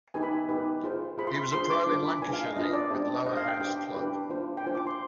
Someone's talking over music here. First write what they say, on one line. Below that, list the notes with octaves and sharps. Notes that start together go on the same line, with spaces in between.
He was a pro in Lancashire League with Lower House Club.
D#4 G4 B4 G#5
B5
G#5
D#4 G4 B4
F4 G#4 C5
F4 G#4 C5 B5
C6
B5
D4 F4 G#4 C5 C6
D6
D4 F4 G#4 C5 D6
B5
D4 F4 B4 G#5
F5
D#5
D4 F4 B4 D#5
D5
D4 G4 C5
D4 G4 C5 D#5
F5
G5
D4 G4 B4 G5
D4 G4 B4
D4 F4 C5
G5
D4 F4 C5 G#5
D6
C6